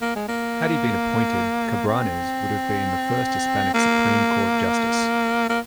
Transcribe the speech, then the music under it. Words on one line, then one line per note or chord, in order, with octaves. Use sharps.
Had he been appointed, Cabranes would have been the first Hispanic Supreme Court justice.
A#3
G#3
A#3
C4
A#3
A#3